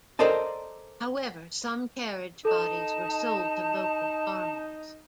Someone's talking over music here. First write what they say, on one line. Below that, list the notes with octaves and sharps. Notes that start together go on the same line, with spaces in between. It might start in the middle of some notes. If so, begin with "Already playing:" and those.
However, some carriage bodies were sold to local farmers.
A4 A#4 C5 D5 D#5 A5
D#4 A4 A5